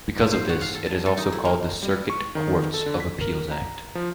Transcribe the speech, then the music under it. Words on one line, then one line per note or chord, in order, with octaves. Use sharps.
Because of this, it is also called the Circuit Courts of Appeals Act.
G#2
C5
F#4
F5
A4
A5
A4
D#4
E4
A#3
G3
C#6
D#3
A4
D3
B6
A#4
A#5
F3